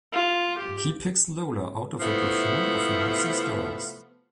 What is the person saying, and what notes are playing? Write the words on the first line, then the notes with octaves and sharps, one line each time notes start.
He picks Lola out of a brochure of Mercy's girls.
F4
G4
C3 F3 A3 B3 E4